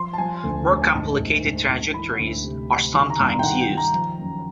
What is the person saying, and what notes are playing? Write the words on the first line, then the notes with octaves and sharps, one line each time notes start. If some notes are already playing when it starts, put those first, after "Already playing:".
More complicated trajectories are sometimes used.
Already playing: F3 C6
A5
F3 G#5
D2
D2
G#5
G#2 A5
G#2
G#2
G#2
E3 B5
D2
C3
C3
D#3 C6
A#5
G2
A#5
G5
D#3 F#5
G5
D#3
A#5
F3
F#2